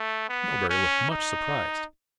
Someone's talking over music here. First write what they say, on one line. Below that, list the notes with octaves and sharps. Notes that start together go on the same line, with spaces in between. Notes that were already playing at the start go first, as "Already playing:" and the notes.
Melbury looked much surprised.
Already playing: A3
B3
C#4
D#4